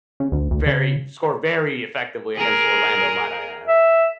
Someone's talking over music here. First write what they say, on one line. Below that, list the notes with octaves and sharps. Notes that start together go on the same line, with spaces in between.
very score very effectively against Orlando, might I add.
C#3
D2
D2
C#3
G#4 A#4
E5